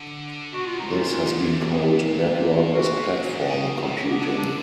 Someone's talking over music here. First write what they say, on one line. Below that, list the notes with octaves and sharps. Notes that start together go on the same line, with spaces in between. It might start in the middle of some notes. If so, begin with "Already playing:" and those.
This has been called "network as platform" computing.
Already playing: D3
B2 F#4
F4
D#4
A#2 F4
G#2
A#2
B2
A#2
F#4
G#2
A#2
B2
A#2
B3
D3 D4
D4